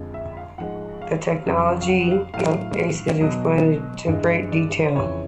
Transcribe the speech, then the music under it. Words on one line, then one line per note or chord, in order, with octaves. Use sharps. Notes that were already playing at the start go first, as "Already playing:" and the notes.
The Technology of Arde is explored in great detail.
Already playing: F2 D3 F3 G#3
E5
F5
G#2 F3 G#3 F#5
F5
F2 C#3 F#3
F5
F#5
F5
A2 F#3 F5
B2 F#3 D#5
G2 E3 G#3
D5
C5
F2 C#3 E3 C#5